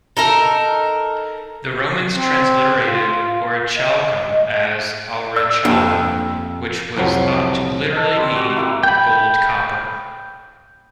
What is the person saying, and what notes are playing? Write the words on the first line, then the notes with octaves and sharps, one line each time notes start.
The Romans transliterated "orichalcum" as "aurichalcum," which was thought to literally mean "gold copper".
D#4 A4 A#4
C4
F4
D#5
D5 E6
F2 A#3 D4 C7
C2 F2 F3 F#3
A4 D#5
G3 C4
F#4 G#5 D6
A#3 E4 G4 G5
G5 B5